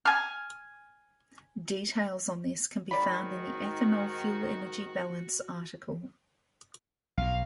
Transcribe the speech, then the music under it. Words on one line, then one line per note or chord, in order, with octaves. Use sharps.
Details on this can be found in the Ethanol fuel energy balance article.
G#5 F6
G#2 D#3 F#4 D5 B5
B1 B2 F5